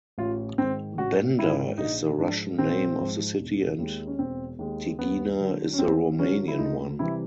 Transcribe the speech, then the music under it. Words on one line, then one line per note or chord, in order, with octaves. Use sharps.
Bender is the Russian name of the city and Tighina is the Romanian one.
A1 F4
G#2 D#3 C4
A1 F#4
G#2 D#3 E4
A#1 D#4
G#2 F3 D4
A#1 C4
G#2 F3
E1
D#2 D#3 G#3
C#4
E1 C4
D#2 D#3 G#3
D#2 B3
D3 F#3
C#4
D#2 C4
D3 F#3 C#4
E4
D2 D#4
C3 E3 G3 E4